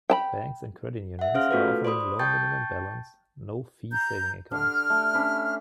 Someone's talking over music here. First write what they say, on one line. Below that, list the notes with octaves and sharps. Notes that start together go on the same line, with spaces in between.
Banks and credit unions are offering low minimum balance, no-fee savings accounts.
G5 A5 B5
E5 F#5
C#4 G#4 C5 F5 F6
A3 B3 F4 F#4 A4 B4
C5 D5 B5 D#6
G5 A5 C#6 G6 A6
A#5 G6
D3 F6
A3
C#4 D4 B5